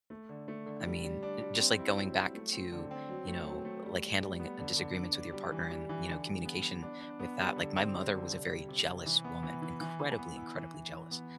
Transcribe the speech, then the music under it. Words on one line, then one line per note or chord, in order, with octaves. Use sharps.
I mean, eh, just like going back to, you know, like, handling, uh disagreements with your partner, and, you know, communication with that like, my mother was a very jealous woman, incredibly, incredibly jealous,
A3
D3
A3
D3
G3
G3
D4
G3
C4
E4
F#3
F#3
A3
C4
D3
C4
F#3
A3
F#3
A3
G3
G3
G3
B3
D3
D3
D4
D4
G3
E3
G3
E3
D3
G3
B3
B3
D4
D4
B3
G3
D3
C4
G3
D3
C3
G3
C3
C3
E3
B3
E3
E3
E3
E3
B3
E4
E3
E3
E3
B3